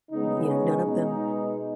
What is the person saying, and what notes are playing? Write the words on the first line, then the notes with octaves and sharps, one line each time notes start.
you know, none of them
C#3 G#3 B3 D#4
C#4
B2 G#3 B3 D#4